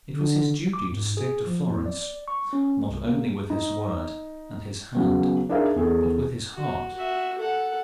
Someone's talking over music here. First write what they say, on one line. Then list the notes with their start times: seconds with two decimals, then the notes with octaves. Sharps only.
It was his duty to stick to Florence, not only with his word and his hand, but with his heart.
0.10 D3
0.73 D6
0.92 G#2
1.17 G#4
1.47 F3
1.70 A2
1.86 D5
2.28 C#6
2.53 C#4
2.89 C2
3.07 A#3
3.50 D#4
4.95 C#3 F#3 B3
5.50 D4 D#4 G#4 A#4 E5 F5
5.76 E2 G#4 A4
6.53 F#4
6.94 F#4 E5
7.38 A4 F#5